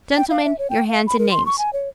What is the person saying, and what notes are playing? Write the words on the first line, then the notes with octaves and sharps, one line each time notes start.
Gentlemen, your hands and names.
G5
F5
E5
C#5
G5
F5
B5
A#4
C6
C#6
G#5
C#5